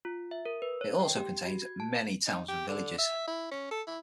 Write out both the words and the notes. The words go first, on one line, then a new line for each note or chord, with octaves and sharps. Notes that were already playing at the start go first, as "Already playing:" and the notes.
It also contains many towns and villages.
F4
E5
A#4
B4
C#5
G5
G4
F#4
G#6
A5
D#4
G4
D3
E5
E4
C#4
A4
E4